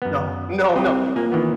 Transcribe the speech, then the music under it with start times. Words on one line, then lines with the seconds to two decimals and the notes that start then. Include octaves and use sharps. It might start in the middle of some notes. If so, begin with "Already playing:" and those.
No, no, no.
0.02 F#2 B3
0.76 C2 C4 G4 D#5
1.16 A#2 A#3 G#5
1.32 D#3 E3 B3